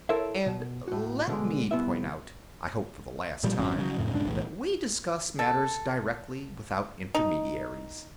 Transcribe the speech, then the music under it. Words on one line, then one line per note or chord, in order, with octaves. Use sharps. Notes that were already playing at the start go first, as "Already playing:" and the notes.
And let me point out, I hope for the last time, that we discuss matters directly, without intermediaries.
E4 A4 A#4 C5 C#5 E5
B2
A2 F#4
B2 D3 G#3
C2 A#2 B3 E4 E5
A#2 F3 G3
G#1 F2 F#3 C#4
C#3 F#3
F2 A2 C#3
E1 G#2 C#3 D4
B1 E2 A2
A4
D#4